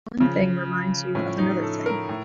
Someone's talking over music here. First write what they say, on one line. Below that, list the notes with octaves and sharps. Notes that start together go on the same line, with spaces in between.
One thing reminds you of another thing.
C#3 F3
A2 F3 C#4
D#4
A4
A#4
A2